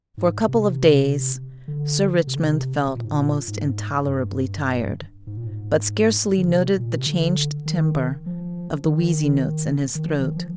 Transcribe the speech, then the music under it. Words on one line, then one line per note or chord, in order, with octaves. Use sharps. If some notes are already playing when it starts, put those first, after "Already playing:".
For a couple of days Sir Richmond felt almost intolerably tired, but scarcely noted the changed timbre of the wheezy notes in his throat.
G#2
C3
D3
C3
D3
C3
C3
A#2
G#2
A#2
G#2
G2
G#2
A#2
G#2
D3
C3
A#2
C3
D3
D#3
F3
D#3
D#3
F3
D#3
F3